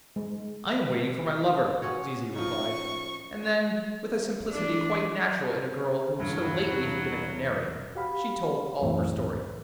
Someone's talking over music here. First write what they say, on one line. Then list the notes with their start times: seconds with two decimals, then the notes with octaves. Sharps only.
'I am waiting for my lover,' Zizi replied; and then, with a simplicity quite natural in a girl who so lately had been a canary, she told all her story.
0.16 G#3
1.82 C#4 F#4 C#5
2.36 F3 D#4 C#6
4.51 E3 D4
6.20 E2 G2 B2 F#3
7.95 F#4 G4 F5 B5
8.81 C2 F#2 A2 E3 A3 C4